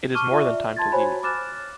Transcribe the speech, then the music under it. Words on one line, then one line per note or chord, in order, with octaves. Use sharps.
It is more than time to leave.
A5 C#6 D6 F6 D#7 G7
F4 D5 E5
A5 C6 G#6 A6
F#4 C5 C#5 G#5 B5
D6 F6 F#6 A6 E7